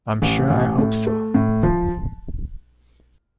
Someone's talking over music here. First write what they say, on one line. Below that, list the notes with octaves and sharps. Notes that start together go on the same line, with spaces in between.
I'm sure I hope so.
A1
A1
A2
A3
A2
F3